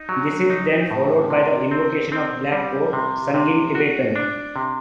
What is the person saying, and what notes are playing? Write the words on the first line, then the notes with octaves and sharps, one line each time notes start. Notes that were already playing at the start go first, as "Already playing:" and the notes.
This is then followed by the "Invocation of Black Coat", sung in Tibetan.
Already playing: D#4
F#3
D#4
A2
C3
C4
C4
G3
C3
C3
F#4
D4
C3